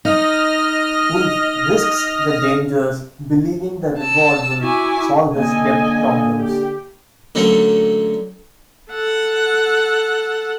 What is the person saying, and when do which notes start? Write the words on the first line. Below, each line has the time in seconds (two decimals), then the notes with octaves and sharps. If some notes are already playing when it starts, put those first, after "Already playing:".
Wolff risks the dangers believing the reward will solve his debt problems.
0.05 D#4 D#5 F6 A#6
3.99 A5 E6
4.62 E4 F#4 G#5 D6
5.35 D3 A#3 A4 D#5 G#5
6.40 G4
7.35 D3 F#3 A3 A#3 C#4
8.90 A4 F#5